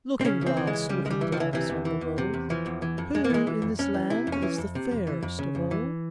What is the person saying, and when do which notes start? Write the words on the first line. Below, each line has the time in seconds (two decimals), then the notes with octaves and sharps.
"Looking-glass, Looking-glass, on the wall, Who in this land is the fairest of all?"
0.21 C4
0.25 C#3 C#4
0.41 C#2
0.46 C4
0.57 E3
0.67 G#3
0.73 C#2
0.89 C#3 G3
1.05 C#2 G#3
1.11 G3
1.21 E3
1.32 F3
1.37 C#2 E3
1.53 C3 E3
1.70 E2
1.85 E3
2.01 E2
2.18 C3
2.34 E2
2.50 E3 F3
2.66 E2
2.82 E3
2.98 F2
3.14 F2 G#3
3.24 A#3
3.30 E3 G#3
3.47 E3
3.62 F2
3.79 F2 C#4
3.94 E3
4.10 C3 E4
4.27 F2
4.32 C#4
4.42 E3
4.58 F2
4.75 C3
4.91 F2
5.07 E3
5.22 F2
5.39 C#3
5.55 F2
5.71 E3